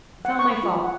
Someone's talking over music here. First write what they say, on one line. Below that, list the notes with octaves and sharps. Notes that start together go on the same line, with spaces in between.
It's all my fault.
F#5
C#6
B5
F4
F#5